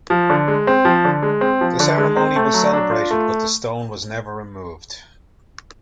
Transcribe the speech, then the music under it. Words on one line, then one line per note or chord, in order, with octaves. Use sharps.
The ceremony was celebrated but the stone was never removed.
F3
D3
G#3
C4
F3
D3
G#3
C4
F3
D3
G#3
C4
A3
F#3
D4
F4
A3